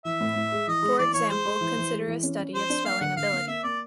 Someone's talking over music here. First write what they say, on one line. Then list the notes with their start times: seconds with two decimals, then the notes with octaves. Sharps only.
For example, consider a study of spelling ability.
0.05 E3 E5
0.21 A2
0.36 A2
0.52 G#3
0.67 E3 D#5
0.83 G#3
0.99 E3 D5
1.14 E3 C#5
1.29 G#3 C5
1.45 G#3
1.61 E3
1.77 E3
1.92 G#3
2.08 E3
2.23 C#4
2.39 C#4
2.54 F3 C5
2.70 D4
2.85 A#3 F5
3.01 D3 F#5
3.16 D3 F5
3.33 A#3
3.48 A#3 E5
3.63 A#3 D5